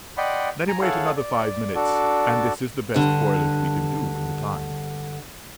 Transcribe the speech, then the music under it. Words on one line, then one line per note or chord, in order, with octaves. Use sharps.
"Let him wait another five minutes." And this is the best foliage we can do in the time.
D5 D#5 F#5 G5 B5 C6
G#5 A#5
E4 G#4 A4 C#5 F5 F#5
D5
D4 F#4 A4 D5
G2 D3